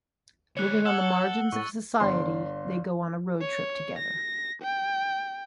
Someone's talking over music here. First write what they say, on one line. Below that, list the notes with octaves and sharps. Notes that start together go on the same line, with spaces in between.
Living on the margins of society, they go on a road trip together.
D2 E3 C#5 F#6 C#7
A4 F#5 E6 F#7 G7
A2 C#6 A6
G1 D4 C6
C#5
A#6
G5